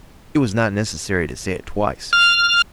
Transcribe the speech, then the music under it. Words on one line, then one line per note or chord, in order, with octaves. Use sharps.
It was not necessary to say it twice.
F6